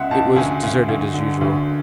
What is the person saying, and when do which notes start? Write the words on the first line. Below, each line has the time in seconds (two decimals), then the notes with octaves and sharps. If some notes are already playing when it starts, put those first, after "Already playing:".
It was deserted as usual.
Already playing: C#2 G#3 E5 F#5
0.11 C#2 A5
0.36 D2 G#5
0.63 D2
0.88 D2
1.14 D3
1.41 D2